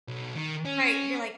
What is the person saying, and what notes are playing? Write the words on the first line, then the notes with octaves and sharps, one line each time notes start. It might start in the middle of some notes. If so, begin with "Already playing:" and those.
Right, you're like,
B1
D#3
C#4